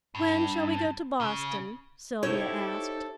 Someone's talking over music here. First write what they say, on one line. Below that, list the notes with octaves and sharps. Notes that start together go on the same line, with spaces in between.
"When shall we go to Boston?" Sylvia asked.
G2
C#3
D#4 E4 G4 A4 C5 C#5